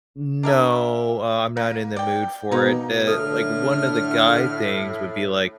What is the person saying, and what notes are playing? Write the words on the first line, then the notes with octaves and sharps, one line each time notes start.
"No, uh, I'm not in the mood for it." Eh, like, one of the guy things would be like
D4 A#4 E5
A#3
D5 G5
B2 A#3 D#4
A2 D3 A3 A4 F6